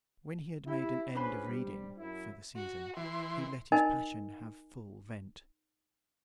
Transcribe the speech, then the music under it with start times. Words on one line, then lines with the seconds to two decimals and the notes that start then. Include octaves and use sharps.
When he had made an end of reading,--for the season,--he let his passion have full vent.
0.67 E4 G4
1.15 C#2 C#4 D4 B4 C5 B5
1.48 G3
1.98 F#2 E4
2.56 F#4
2.97 E3 C6
3.72 D#4 A#4 D#5 G#5